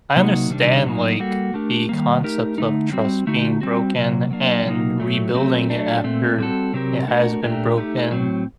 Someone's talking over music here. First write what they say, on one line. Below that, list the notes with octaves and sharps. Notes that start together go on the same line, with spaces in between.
I understand, like, the concept of trust being broken and rebuilding it after it has been broken.
C3 F#3 A#3 D#4 F#4
C3 D#3 G3 D4
A2 F#3 A#3 D#4
G3 A#3 F#4 A4
A3 D4 G4 A#4
D#3 G3 A#3
A3 D#4 G4 A#4
D3 A3 D#4
G3 C4 F#4
D3 A3 D#4 F#4
G3 C4 F#4
C3 F#3 A#3
F#3 A#3 D4
C3 F#3 A#3 D#4
A2 F#3 A3
F#3 A3 C4
F#3 A3 D4
A#2 A3 C4
G3 C4 F#4 A4
C3 F#3 C4 G4 A#4
A3 D4 F#4 A#4
A#2 A3 D4 G4 A#4
A3 D#4 G4
A2 F#3 C4